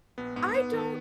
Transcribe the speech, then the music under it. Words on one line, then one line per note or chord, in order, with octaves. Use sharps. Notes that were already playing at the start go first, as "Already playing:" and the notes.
I don't
A#1 B3
G#2 B3
G#2 B3
D#3